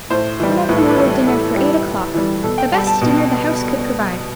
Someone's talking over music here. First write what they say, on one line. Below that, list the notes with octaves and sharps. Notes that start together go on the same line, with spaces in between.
One of them ordered dinner for eight o'clock, the best dinner the house could provide.
A2 C5
E3 G3
A2 B4
A4
B4
E3 G3 A4
A2 A4
E3 G3 G4
A2
E3 G3
B2 A4
G5
G3 A5
A5
B2